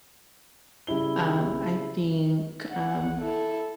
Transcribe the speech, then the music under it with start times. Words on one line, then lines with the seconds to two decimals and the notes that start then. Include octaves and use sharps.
Um, I think, um,
0.87 C#3 G3 E4 G7
2.71 F#5
3.21 E4 A4